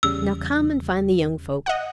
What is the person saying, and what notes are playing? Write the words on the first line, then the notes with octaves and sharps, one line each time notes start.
Now, come and find the young folk.
E2 C#3 G3 E6
D#5 F#5